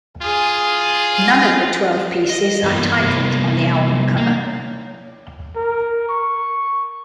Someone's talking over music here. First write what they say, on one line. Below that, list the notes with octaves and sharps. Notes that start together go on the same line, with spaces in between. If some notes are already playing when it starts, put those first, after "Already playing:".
None of the twelve pieces are titled on the album cover.
F4 G#4 D#6
D#5
G2 E3 A#3 B3
C3 G3 A#3 B3
A#3
A#4
C#6